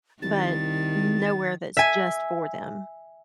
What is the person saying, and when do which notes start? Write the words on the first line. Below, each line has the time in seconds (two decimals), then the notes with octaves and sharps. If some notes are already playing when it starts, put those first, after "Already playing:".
but n nowhere that's just for them,
0.22 C2 D#3 A6
1.77 E5 G#5